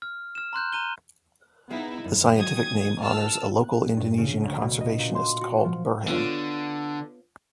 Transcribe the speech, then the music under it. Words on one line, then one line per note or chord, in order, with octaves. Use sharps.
The scientific name honours a local Indonesian conservationist called Burhan.
F6
F6 E7
A#5 C6 F#6 G6
A#5 D#7 G7
B3 D#4 E4 G#4 F5
G1 F#2
D#3 F#3 G#3 D#6 G#6
D3 A#3 F4 A5 E6 F6
F#6
G2
C#3
D2
B2
D#5
A#2
C6
F#4
F3
D3 B3 F4 C#5